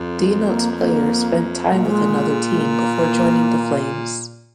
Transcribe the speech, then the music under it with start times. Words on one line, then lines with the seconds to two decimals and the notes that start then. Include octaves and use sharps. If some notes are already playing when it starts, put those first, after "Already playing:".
Denotes player spent time with another team before joining the Flames.
Already playing: F2
0.18 G#3
0.40 G#3
0.48 A#3
0.78 A#3
1.70 A#2 G#3
1.77 A#3
1.85 G#3
2.50 G#3
2.61 A#3